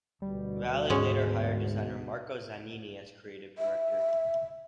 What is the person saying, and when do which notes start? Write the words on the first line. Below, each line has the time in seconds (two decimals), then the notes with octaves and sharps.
Valle later hired designer Marco Zanini as creative director.
0.22 D2 B2 G3
0.90 G#2 G#3 C#4
3.58 E5